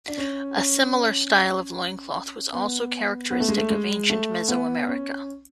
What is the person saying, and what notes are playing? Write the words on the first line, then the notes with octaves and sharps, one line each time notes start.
A similar style of loincloth was also characteristic of ancient Meso-America.
D4
C#4
C#4
B3
B3
A3
G#3
A3
G#3
A3
B3
C#4